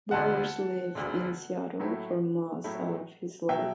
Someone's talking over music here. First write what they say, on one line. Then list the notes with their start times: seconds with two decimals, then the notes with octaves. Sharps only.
Bowers lived in Seattle for most of his life.
0.11 E1 D2 D3 F#5 A5
0.95 E1 D2 D3
1.80 A2 F#3 A3 E4
2.64 A2 F#3 A3 E4
3.49 B2 F#3 E5 G5